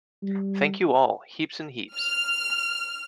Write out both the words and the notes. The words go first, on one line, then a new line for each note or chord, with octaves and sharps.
Thank you all, heaps and heaps!
G3
F6